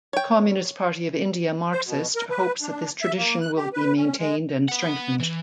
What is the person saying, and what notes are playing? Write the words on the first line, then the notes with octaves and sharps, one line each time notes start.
Communist Party of India Marxist hopes that this tradition will be maintained and strengthened.
C#5 G5
C5
B2
A#4
B4
D4
E5
A#3
F#6
G4
B4
C#4
G#3
B4 F#5
E3